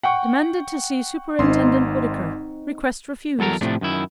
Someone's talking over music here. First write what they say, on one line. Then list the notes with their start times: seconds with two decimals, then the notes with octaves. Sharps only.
Demanded to see Superintendent Whittaker. Request refused.
0.03 F#5 G5 C#6
1.39 G#1 C4 D#4 C6
3.39 E2 F#3 A4 A#4 A#5
3.61 A2 C3 F3 A3 D4
3.81 F#2 D#3 E4